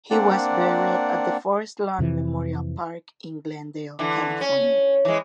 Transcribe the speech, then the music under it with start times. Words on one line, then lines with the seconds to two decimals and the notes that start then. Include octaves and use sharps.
He was buried at the Forest Lawn Memorial Park in Glendale, California.
0.11 A#3 C4 D4 D5 F#5
1.99 F2 C3 E3
3.99 D3 E3
4.41 C#4
5.05 E3 G#3